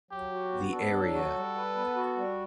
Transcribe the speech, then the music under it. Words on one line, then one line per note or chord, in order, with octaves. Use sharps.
The area.
F#3 G4
F#4
B3
D4 A4
F#3
F#4
G3
B4
B3
F#4
G3